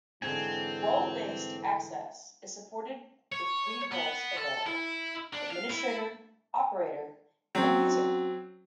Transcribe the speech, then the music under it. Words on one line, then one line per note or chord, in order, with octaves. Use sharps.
Role-based access is supported with three roles available: Administrator, Operator and User.
G#2 D3 E3 C4 G#5
C#5
B3
A4
E4
D4
F5
E4
F#3 C4 C#4 F#4